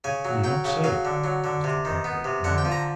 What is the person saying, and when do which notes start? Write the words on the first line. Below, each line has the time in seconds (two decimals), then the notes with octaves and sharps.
"You don't say!" Mr. Parker murmured.
0.04 C#3 G#5
0.25 F#3
0.44 F#3 G5
0.65 C#3
0.84 F#3 F5
1.05 D3
1.24 F#3
1.44 D3
1.64 C3
1.85 D#3
2.04 B3
2.24 C3
2.44 D3 F#5
2.58 G5
2.65 F3
2.72 A#5